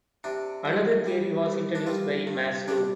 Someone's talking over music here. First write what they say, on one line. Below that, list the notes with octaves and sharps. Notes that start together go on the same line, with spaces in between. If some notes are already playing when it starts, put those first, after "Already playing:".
Another theory was introduced by Maslow.
C3 D4
C2
G3
C2
D4
G3 F4
G2
G3 D4 G4